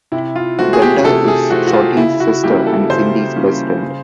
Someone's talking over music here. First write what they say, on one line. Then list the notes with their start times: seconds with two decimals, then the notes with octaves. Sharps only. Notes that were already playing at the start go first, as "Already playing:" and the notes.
Brenda is Shorty’s sister and Cindy’s best friend.
0.12 C3 E4
0.35 F4
0.59 E3 A3 C4 F#4
0.73 G#4
0.82 G4
1.04 C3 A4
1.28 G#4
1.50 E3 A3 C4 F#4
1.67 F#4
1.73 F4
1.97 C#3 E4
2.20 F#4
2.43 E3 G3 A#3 C#4 G4
2.67 A4
2.90 C#3 C5
3.36 E3 G3 A#3 C#4
3.82 C#3